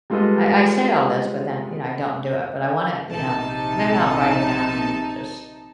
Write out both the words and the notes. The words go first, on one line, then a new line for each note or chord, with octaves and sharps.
I I say all this, but then, you know, I don't do it. But I wanna, you know maybe I'll write it down and just,
G3 G#3 F4 A4 B4 D#5
A#1 C3 D#4 A5